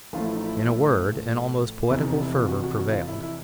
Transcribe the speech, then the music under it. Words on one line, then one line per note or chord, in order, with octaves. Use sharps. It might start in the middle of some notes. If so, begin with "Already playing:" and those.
In a word, an almost poetical fervor prevailed.
A1 A2 F3 A3 F4
E4
D#4
E4
F1 E2 C3 E4
D#4
E4
F4
F#4
F#4
F#4
F4
E4
E4